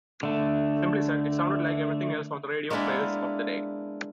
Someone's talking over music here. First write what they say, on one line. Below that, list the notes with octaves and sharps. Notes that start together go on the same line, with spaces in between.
Simply said, it sounded like everything else on the radio playlists of the day.
D3 A3
G#3 A#3 B3 D4 E4 B4